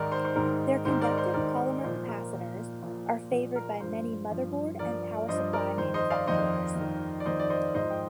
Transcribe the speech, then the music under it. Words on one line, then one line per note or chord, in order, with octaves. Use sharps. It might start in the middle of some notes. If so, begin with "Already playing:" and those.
Their conductive polymer capacitors are favored by many motherboard and power supply manufacturers.
Already playing: G#2 D#3 A#4 D5
C5
C5
G#2 D#3 A#4
G#2 D#3 C5
A#4 D5
C5
G#2 D#3 A#4 D5
A#2 F3 C5
A#4
A#2 F3
A#2 F3
A#2 F3
A#4
A#4
G2 F3 C5
G2 F3
G2 F3 A#4 D5
G2 F3 C5 D#5
A#4 D5
F2 D#3 C5
C5 D#5
D5 F5
F2 D#3 C5 D#5
F2 D#3
D5
F2 D#3 C5 D#5
D5
C5 D#5
G#2 F3 C5 D#5
G5